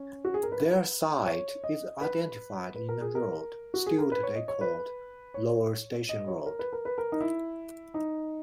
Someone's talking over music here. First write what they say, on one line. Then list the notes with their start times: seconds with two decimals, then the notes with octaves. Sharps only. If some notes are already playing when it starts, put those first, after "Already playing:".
Their site is identified in a road still today called Lower Station Road.
Already playing: C#4
0.25 F#4
0.34 G#4
0.43 A#4
0.52 B4
1.26 C#5
1.64 D#5
2.01 B4
2.75 B4
2.89 A#4
3.01 G#4
3.15 A#4
3.74 F#4
3.86 G#4
3.98 A#4
4.12 B4
4.23 C#5
4.36 D#5
4.48 C#5
4.61 B4
5.34 C#5
6.09 D#5
6.27 C#5
6.46 A#4
6.59 B4
6.73 A#4
6.85 B4
6.98 A#4
7.12 D#4
7.21 E4
7.94 D#4